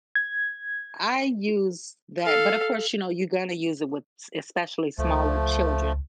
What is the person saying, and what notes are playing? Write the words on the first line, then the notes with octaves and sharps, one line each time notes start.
I use that, but of course, you know, you gonna use it with s especially smaller children,
G#6
A4 F5
C#2 F3 A3